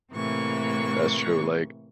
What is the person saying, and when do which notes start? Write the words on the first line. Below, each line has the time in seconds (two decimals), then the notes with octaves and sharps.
That's true, like
0.12 A2 C3 E3 A#3 C#6